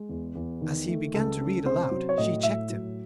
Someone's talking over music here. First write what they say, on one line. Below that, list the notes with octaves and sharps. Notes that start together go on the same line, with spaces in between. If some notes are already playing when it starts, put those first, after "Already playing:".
As he began to read aloud she checked him.
Already playing: G#3
E2
E2
D#3
A3
C#2 A4
C#4
C3 C5
F#3
C#5
A2 D#5
A2 E5
F#3